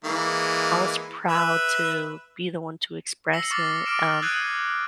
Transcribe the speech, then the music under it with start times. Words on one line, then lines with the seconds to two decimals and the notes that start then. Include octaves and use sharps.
I was proud to be the one to express it. Um,
0.04 E3 G#3 A#3
1.28 B4 E5
3.33 E6 A#6 C7 C#7 F#7
3.51 C#6 D6 F6 A6 C7
3.86 D6 F6 D7 E7
4.22 D#6 F#6 G#6 C7 D7 D#7